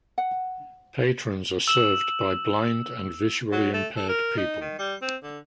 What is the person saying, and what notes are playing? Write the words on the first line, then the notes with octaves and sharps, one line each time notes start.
Patrons are served by blind and visually impaired people.
F#5
E6 E7 F#7
F#3
A3
A4
A#4
D#4
D#3
G3
C4
D3